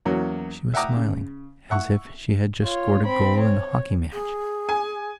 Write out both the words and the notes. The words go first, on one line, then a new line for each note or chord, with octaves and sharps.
She was smiling, as if she had just scored a goal in a hockey match.
E2 F#3 A#3 C#4
E5 F#5 G5 A#5 D6 D#6
C#3
E5 F#5 C#6
F4 C#5
C4 B5
C#5
G#4
G#5